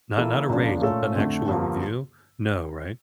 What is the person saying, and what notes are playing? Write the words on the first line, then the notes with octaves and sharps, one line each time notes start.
Not not a raise. It's an actual review. No, right?
E3 A#3 E4 A4
C#2 C#3 F3 A#3 D4
A#2 A3 C#4 F4 A4
F2 D3 A3
G2 D3 F3 A#3